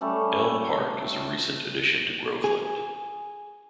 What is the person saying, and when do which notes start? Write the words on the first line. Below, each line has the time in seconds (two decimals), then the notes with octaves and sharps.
Elm Park is a recent addition to Groveland.
0.01 G3 A3 C#4
2.44 G#4